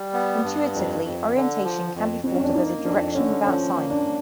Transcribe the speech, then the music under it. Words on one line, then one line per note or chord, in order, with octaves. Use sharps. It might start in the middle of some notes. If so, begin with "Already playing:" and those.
Intuitively, orientation can be thought of as a direction without sign.
Already playing: G3
B3
G2
F2
F2
D3
F3
F2
F2 C4
C#4
D4
A#3 D#4
F2 D4
D3 C#4
F3 C#4
A#3
D4